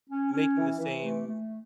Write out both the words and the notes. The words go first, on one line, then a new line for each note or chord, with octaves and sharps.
making the same
C#4
C#4
E3
E3
A3
A3